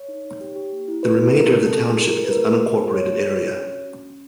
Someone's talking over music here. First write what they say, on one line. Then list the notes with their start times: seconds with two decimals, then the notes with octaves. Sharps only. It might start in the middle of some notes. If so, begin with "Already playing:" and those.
The remainder of the township is unincorporated area.
Already playing: C#5
0.08 D#4
0.25 D#4
0.41 G4
0.56 G4
0.72 A#3
0.88 E4
1.03 A#3 B4
1.20 E4
1.35 A#3 A#4
1.52 C#4
1.66 C4 A4
1.83 G#4
1.98 E4 A#4
2.15 E4
2.24 B4
2.30 A3 A#4
2.47 A4
2.62 F4 A#4
2.78 C4 C5
2.94 F#4 C#5
3.10 F#4
3.26 F#4
3.42 D4
3.58 C#4
3.73 F#4
3.89 C#4
4.05 C#4